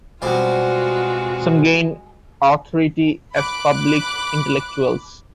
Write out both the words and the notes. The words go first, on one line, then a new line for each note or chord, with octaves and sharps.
Some gain authority as public intellectuals.
B2 G3 G#3 C4 F4 F#4
B5 D6 F#6